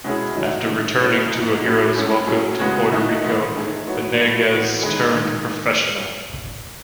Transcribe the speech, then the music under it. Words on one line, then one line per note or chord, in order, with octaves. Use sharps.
After returning to a hero's welcome to Puerto Rico, Venegas turned professional.
B2 G#3 C#4 E4 G#4
D#3 F#3 A3 D#4
D#3 G#3 C#4
A2 F#3 A3 C#4 E4
F#2 E3 B3 D#4
F#3 C#4 F#4 B4
A2 G#3 C#4 E4 A4
A2 F#3 C#4 G#4
C#3 G#3 B3 F#4 C#5
D#3 A3 D#4 F#4
G#2 E3 B3
D#3 A3 D#4 G#4
F#3 B3 F#4 C#5
A2 F#3 A3 E4
E3 B3 F#4 C#5
D#3 G#3 D#4 G#4 B4
D#3 G#3